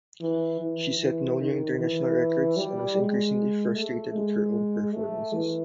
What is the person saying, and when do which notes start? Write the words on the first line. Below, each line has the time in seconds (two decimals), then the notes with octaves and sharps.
She set no new international records, and was increasingly frustrated with her own performances.
0.21 E3
0.60 E3
0.99 E3
1.39 D#3
1.79 E3
2.57 G3
2.97 G#3
3.76 A3
4.15 G#3
4.94 A3
5.33 E3